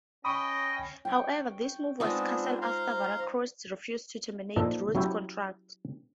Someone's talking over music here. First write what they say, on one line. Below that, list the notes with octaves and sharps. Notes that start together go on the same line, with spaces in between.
However, this move was cancelled after Veracruz refused to terminate Ruiz's contract.
C#4 D#5 G5 B5 C#6 D#6 A#6
G5 C#6
G#3 B3 C4 D4 D#4 F4 D#6
C5 F5 A#5 C6
A#2 F3 D4 D#4 A4 D#5
F#3 C#4 E4 G4 C#5